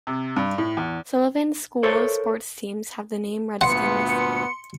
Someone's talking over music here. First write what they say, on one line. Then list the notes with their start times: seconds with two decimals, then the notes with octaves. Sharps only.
Sullivan's school sports teams have the name Redskins.
0.07 C3
0.36 G2
0.58 A2
0.77 E2
1.83 A4 A#4 C5 C#5
3.61 D2 G2 A#2 B3 F#5 C6 C#7